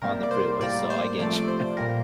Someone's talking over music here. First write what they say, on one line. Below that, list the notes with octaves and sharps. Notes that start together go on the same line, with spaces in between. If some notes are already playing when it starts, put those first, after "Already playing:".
on the freeway, so I get you,
C3 G3 A#3 A#4
D5
C5
A2 G3 A#3 D5
C5
C3 F3 A3 D5
D5
C5
A#2 G3 A#3 A#4